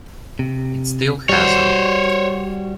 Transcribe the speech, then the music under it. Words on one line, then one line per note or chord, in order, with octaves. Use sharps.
It still hasn't.
C3
G3 F#4 C5 C#5